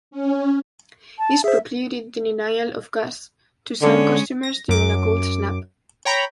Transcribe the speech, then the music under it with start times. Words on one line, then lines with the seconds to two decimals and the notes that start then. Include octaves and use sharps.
This precluded the denial of gas to some customers during a cold snap.
0.11 C#4
1.19 A5
1.44 G#4 C5 E5
3.82 D3 G#3 C#4
4.43 A#6
4.69 F#2 D6
6.05 C#5 G5 A#5 B5